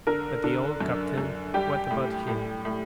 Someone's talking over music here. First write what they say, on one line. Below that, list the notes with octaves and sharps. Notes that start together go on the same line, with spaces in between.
But the old captain, what about him?
D3 A#4
D3
F#2
F#2
G3 G4
A2
A2
A2